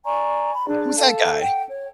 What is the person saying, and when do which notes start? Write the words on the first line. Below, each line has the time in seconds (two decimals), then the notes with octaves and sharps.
"Who's that guy?"
0.05 D5 G#5 A#5 C#6
0.54 B5
0.67 D4 G#4 D5
0.97 A4 F5 A5
1.42 F#5 G5
1.68 C#5